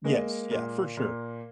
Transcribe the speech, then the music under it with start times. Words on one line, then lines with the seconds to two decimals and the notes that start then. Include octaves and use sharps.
Yes, yeah, for sure.
0.04 G#3 A#3
0.51 A#2
0.97 A#2